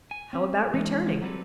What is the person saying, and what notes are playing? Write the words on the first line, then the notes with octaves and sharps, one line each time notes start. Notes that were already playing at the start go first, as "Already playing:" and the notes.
"How about returning?"
G#5
C4 C#4
E3 G#3 C4 D4 A#4
F#3 G3 C4 G#4 A4 B4